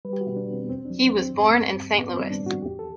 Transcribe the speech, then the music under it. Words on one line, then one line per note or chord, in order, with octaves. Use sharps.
He was born in Saint Louis.
G3 B4
G4
F#4
B2
D4
B2
C4
B3
E2 C4
F#3 D4
C4
E2
C4
G2
G3
G2
A2 B3
C4
G3
D4
A2
F#4
E2 G4
A4